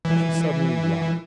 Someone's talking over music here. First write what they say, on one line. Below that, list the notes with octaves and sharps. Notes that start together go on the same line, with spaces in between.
She suddenly laughed.
E3